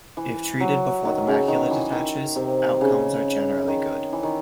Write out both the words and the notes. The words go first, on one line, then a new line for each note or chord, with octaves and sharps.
If treated before the macula detaches outcomes are generally good.
E3
F#3
D#3
C#3
D#3
E3
D#3
C3
C#3
D#3
E3
D#3